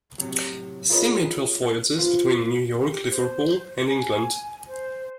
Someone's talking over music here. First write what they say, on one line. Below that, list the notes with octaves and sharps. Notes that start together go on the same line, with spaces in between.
She made twelve voyages between New York and Liverpool, England.
A2 C3 F#3
F4 G#4 A#4 B4 C#5 D#5
F4 B4 C5
G4
C5
G#5
C5